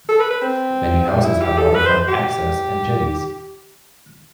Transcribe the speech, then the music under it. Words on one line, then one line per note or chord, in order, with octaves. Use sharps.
Many houses have waterfront access and jetties.
A4
B4
B4
C4
G3
E4
G4
A4
B4
C5
G4